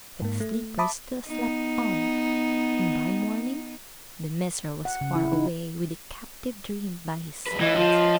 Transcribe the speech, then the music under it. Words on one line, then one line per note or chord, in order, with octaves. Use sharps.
But the sleepers still slept on, and by morning the miser was far away, with the captive dream by his side.
G#2 A#3
A3
E5 A5 B5 D6 D#6
B3 D#4
F#5
C#3
E4
D#4
F2 B4
E3 C#5 D#5
F3